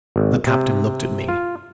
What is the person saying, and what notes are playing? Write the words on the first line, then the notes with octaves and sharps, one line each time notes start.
The captain looked at me.
G#1
C3
F4